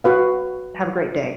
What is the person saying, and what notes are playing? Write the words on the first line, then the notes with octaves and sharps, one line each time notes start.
have a great day.
F#4 B4 F5